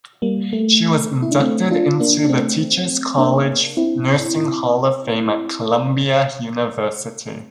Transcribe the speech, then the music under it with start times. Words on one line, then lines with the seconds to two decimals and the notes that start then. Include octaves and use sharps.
She was inducted into the Teacher's College Nursing Hall of Fame at Columbia University.
0.22 G3 A#3
0.53 A3
1.22 E4
1.31 D4
1.40 A3 C4
1.71 D4 F4
2.00 A#3 D4
2.25 D4
2.29 A3 C4
3.17 A#3 D4
3.77 C4 E4